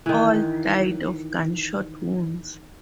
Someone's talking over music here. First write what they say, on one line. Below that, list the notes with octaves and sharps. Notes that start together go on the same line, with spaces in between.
All died of gunshot wounds.
D#3 E3